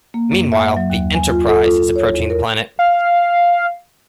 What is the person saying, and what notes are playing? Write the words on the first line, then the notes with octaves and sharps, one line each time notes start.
Meanwhile, the "Enterprise" is approaching the planet.
A#3
F#2
E5
F#3
D#2
G#5
F4
A4
F4
C#5
E2
A#4
F5